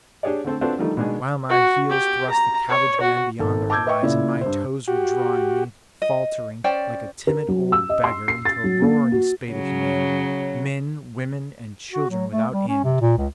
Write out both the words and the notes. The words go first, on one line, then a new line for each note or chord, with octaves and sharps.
While my heels thrust the cabbage-man beyond the horizon, my toes were drawing me, faltering, like a timid old beggar, into a roaring spate of humanity--men, women, and children without end.
D4 G4 G#4 C#5 D5
D3 A3 C4 A4
C4 D4 F4 F#4 A4 B4
D3 D#3 F3 G3 A3 D#4
B2 D#3 G#3 D4 G#4
F#4
G4
A#5
C#5
F#4
G#1 A4
A5 D6 E6 G6 G#6
B4 D#5 E5 G5 C#6
A#2 C#3 E4 D5
G2 C5
F#4 G4
D#5
C#4 C5 D5 G5
A#4
F#3
E6
D#5
C6
C7
A6
F#3
A#3
F#4
C#3 F#3
F#4
F#3
A3
G3
C#4
C3
A#2
C#2